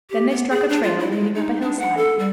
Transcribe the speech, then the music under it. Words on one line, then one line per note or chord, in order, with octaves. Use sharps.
Then they struck a trail leading up a hillside.
G4
B3
G#4
D4
F4
E4
G#3
D#4
D4
F#5
A4
G3